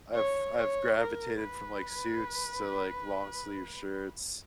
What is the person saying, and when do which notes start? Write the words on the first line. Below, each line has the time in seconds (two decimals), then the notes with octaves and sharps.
I've I've gravitated from, like, suits to, like, long sleeve shirts,
0.15 C#5
0.57 C#5
0.99 A#4
1.40 B4